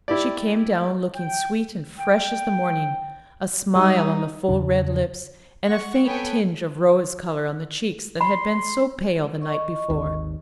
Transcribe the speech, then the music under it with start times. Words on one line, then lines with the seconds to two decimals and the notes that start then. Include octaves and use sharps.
She came down looking sweet and fresh as the morning; a smile on the full red lips, and a faint tinge of rose color on the cheeks that had been so pale the night before.
0.08 E4 G4 D5
1.15 G5
1.99 G5
3.76 G3 D#4
4.49 E2 C#3 D4
5.67 F#5 C#6
6.06 B3 A4 B4 C#5 G5 G#5
8.21 B5 C6
9.42 D#5 C#6
9.90 G#1 D#2